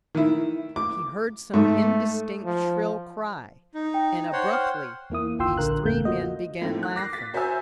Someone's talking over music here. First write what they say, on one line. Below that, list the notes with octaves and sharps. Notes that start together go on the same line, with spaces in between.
He heard some indistinct shrill cry, and abruptly these three men began laughing.
D#3 E4
D6
G#2 A3
F3
D#4
G5
C5 C#5 F#5
G5 F6
E2 A#3 E4 D#6
G1 D2 F4 G5 C6 E6
A#1 D3 A#4 F#6
G#1 E2 C#3 A3 A#3 G6
F4 F#4 D#5
G#2 E3 A3 C4 F4
F#6
D6 A#6 C7
A6 B6
F#4 C5 E5 G#5 A#5 E6